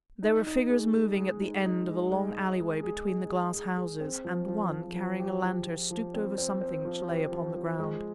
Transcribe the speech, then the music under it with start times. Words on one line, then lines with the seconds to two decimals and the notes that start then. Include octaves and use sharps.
There were figures moving at the end of a long alleyway between the glass houses, and one, carrying a lantern, stooped over something which lay upon the ground.
0.23 D#4
0.47 D#4
0.69 G#4
0.93 G#3
1.17 G#3
1.41 D#4
1.65 D#4
1.88 G#3
2.11 G#3
2.36 G#3
2.60 G#3
2.83 G#4
3.06 G#4
3.30 G#4
3.54 G#4
3.77 G#4
4.00 C4
4.25 F3
4.48 F3
4.72 F3
4.95 F3
5.20 G4
5.43 F3
5.67 F3
5.91 F3
6.14 C4
6.38 C4
6.61 C4
6.85 F3
7.08 G4
7.32 F3
7.56 F3
7.79 G#3